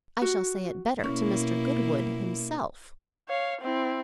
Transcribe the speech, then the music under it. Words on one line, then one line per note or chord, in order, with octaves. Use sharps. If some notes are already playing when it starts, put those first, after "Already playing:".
"I shall say it better to Mr. Goodwood himself."
F#4
B2 A#3 C#4 E4
C#5 F5
C4 E4